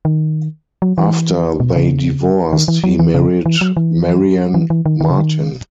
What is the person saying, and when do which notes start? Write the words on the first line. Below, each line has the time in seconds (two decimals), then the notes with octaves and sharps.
After they divorced, he married Marian Martin.
0.05 D#3
0.82 F#3
0.98 E3
1.60 B2
1.76 C#3
2.53 D#3
2.68 E3
2.84 F#3
2.99 E3
3.14 C#3
3.46 E3
3.61 F#3
3.77 E3
4.54 E3
4.70 E3
4.86 D#3
5.01 D#3
5.10 C#3
5.18 D#3